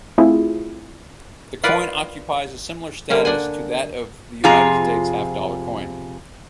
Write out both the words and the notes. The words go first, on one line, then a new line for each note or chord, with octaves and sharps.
The coin occupies a similar status to that of the United States half-dollar coin.
A3 C4 E4 F4 G#4
F4 A#4 B4 D5 F#5
D3 G3 A#3 C#4
D4 F#5 G#5
F2 C3 F4 G#4 A#5